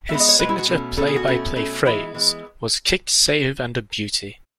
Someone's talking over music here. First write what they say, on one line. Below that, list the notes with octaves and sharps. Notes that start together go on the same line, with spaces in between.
His signature play-by-play phrase was kick save and a beauty.
B2 E5
G#3 B3
D#5
C#5
B2 G#3 B3 B4
E4
F#4
B2 A3 C#4
B2 A3 C#4 A4
G#4
F#4
B2 A3 C#4
B2 A3 C#4
E3 G#3 B3 E4
E3 G#3 B3